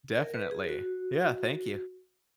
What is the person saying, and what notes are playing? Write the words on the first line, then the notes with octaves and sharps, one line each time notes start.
Definitely. Yeah, thank you.
A#4
B4
G#4
F#4